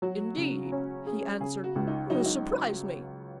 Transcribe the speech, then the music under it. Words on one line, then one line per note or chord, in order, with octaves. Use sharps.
'Indeed,' he answered, 'you surprise me.
F#3 F#4
C#3
C#4
G#4
C#3 G#4
F#4
C#2
D#4
F#3 D#4
F#4
D#4